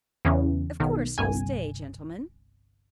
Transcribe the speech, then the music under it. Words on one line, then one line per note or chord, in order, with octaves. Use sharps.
Of course you'll stay, gentlemen?
E2 C#3 E3 C#4
B1 D#3
G1 C2 G#5